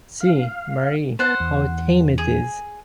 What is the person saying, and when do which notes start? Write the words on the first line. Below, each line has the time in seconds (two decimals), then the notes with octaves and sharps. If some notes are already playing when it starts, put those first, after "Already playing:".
See, Marie, how tame it is.
0.21 F5
1.19 B3 C5 F#5 A5
1.40 E2
2.18 G#4